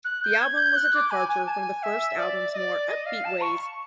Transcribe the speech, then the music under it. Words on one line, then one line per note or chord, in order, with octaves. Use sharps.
The album was a departure from the first album's more upbeat ways.
F#6
G6
G#6
G6
F#6
D6
G#5
G#5
A5
G#5
E5
D5
D#5
D5
D#5
F5
A5
C#6